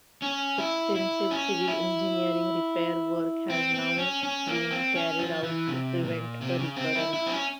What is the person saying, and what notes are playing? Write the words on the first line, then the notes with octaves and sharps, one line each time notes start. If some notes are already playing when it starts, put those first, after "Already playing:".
Extensive civil engineering repair work has now been carried out to prevent a recurrence.
C#4
E4
E4
C#4
E4
C4
C4
C#4
C#4
A#3
C4
C#4
F3
E3
C3
A#2
C3
C#3
C4
E4
E4
C4
C#4